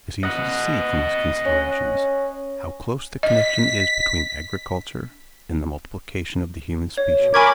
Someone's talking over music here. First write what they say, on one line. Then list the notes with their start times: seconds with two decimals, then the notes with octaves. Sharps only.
It is easy to see, from these considerations, how close the connection is between agriculture and the multiplication of the human species.
0.23 D#5 F#5
1.46 C#4
3.23 D#5 B6
6.97 C#5
7.17 B2
7.34 A#4 G#5 B5 C#6 D6 G#6